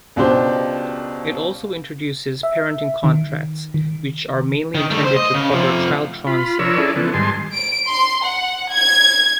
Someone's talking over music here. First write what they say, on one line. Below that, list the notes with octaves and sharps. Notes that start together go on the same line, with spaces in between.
It also introduces 'parenting contracts', which are mainly intended to cover child truancy.
C#2 B2 D4 G4 C5 G6
E5
D#3
D#3
D#3
G3 A3
C5
D#5
C#3
C3 F3
F4 B5
F3 D4 A#4 C#5 E6
C#4 E4 G#4 A4 D5
C#3 E3 F3 B3 A4
G#2 D#3 G3 G#5 A5 C6
D7
C6
F#5
G#6